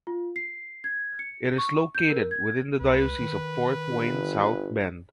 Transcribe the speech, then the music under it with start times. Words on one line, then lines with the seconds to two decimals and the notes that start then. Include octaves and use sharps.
It is located within the Diocese of Fort Wayne-South Bend.
0.07 F4
0.36 C7
0.84 G#6
1.19 C#7
1.58 C#6
1.95 G6
2.10 A#4
2.31 G#6
2.81 C#2 B4
3.21 D#3
3.90 G1